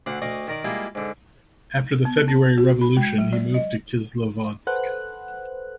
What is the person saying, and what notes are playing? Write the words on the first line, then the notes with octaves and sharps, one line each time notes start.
After the February Revolution, he moved to Kislovodsk.
D2 D3 F5 F#5
D2 D5 D#5 F5 C#6 D#6
D#3 A#4 D5
G3 G#3 A#3 E4 F4
G#2 D3
B3
A5
F#4
B5
G#3
F#3
D5
D#5
A4 B4 C5 F#5 F#6